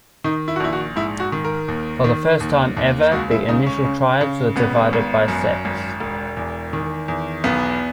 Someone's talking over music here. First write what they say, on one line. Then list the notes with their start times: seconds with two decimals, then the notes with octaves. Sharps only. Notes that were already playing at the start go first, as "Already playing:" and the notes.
For the first time ever, the initial tribes were divided by sex.
0.24 D#3 D#4
0.48 E4
0.56 F#4
0.60 A#1 E4
0.73 F#4
0.96 G#2 E4
1.20 F#4
1.32 D#3
1.45 A#4
1.68 D#2
2.04 D#3
2.40 D#2
2.77 D#2
3.12 C#2 F#4
3.31 E4
3.49 C#3 D#4
3.66 C#4
3.85 C#3
4.21 C#3
4.56 G#1 B3
4.93 G#1
5.28 F#2
5.65 G#1
6.00 E1
6.37 E2
6.73 D#3
7.08 E2
7.44 B1 B3